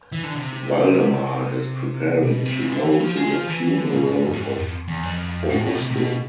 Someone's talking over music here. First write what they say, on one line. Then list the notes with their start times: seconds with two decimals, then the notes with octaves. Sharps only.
Valdemar is preparing to go to the funeral of Augusto.
0.12 E3
0.23 D3
0.35 C3
2.22 B2
2.46 C3
2.60 E3
2.69 D3
2.85 E3
3.00 F3
3.16 G#3
3.31 F3
3.48 E3
3.63 E3
3.78 D3
3.94 B2
4.09 G#2
4.26 F2
4.33 G#2
4.56 F2
4.88 E2
5.03 F2
5.50 A2
5.65 A2
5.75 B2
5.81 C3
5.90 A2
5.97 B2